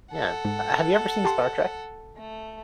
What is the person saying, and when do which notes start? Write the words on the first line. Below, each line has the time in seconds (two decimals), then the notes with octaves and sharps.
Yeah. Uh, have you ever seen Star Trek?
0.12 A4 F#5
0.45 G#2
1.25 G4 A5 C6
2.16 A3